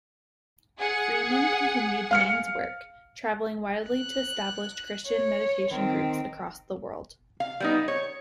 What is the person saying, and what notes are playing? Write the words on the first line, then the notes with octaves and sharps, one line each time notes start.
Freeman continued Main's work, travelling widely to establish Christian meditation groups across the world.
G#4 F#5
F5 F6 C#7
F#6
C#5
D#3 C4
F5
G3 B3 D#4
C#5